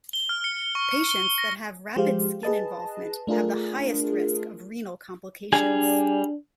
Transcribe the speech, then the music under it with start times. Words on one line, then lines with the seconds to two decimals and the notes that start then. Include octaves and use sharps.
Patients that have rapid skin involvement have the highest risk of renal complications.
0.13 G7
0.29 F6
0.44 C#7
0.75 C#6
0.91 C#7
1.09 G7
1.22 G7
1.38 A#6
1.96 F3 G#3 G4 C5 F5
2.43 G#4 B4 D#5 A5
3.27 A3 D4 F4 G#4 A#4
5.53 G3 D4 G#4 G#5